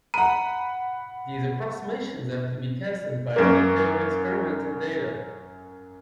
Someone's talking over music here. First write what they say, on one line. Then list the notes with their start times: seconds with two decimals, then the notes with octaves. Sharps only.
These approximations have to be tested by detailed experimental data.
0.14 F#5 A#5 B5
3.36 F#2 A#3